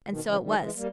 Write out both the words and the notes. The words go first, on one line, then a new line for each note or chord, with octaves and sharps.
And so it was.'
B2 D#3
C#3 E3
D#3 G3
E3 G#3
G3 A#3